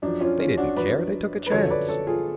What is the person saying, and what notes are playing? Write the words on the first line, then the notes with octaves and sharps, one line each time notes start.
They didn't care! They took a chance.
F#2 F3 D4
C#4 F4
C#4 F4
D4 F#4
F#2 F3 B4 D5
B4
F#2 D3 F3 A4 C#5
B4 D5
A4 C#5
F4 G#4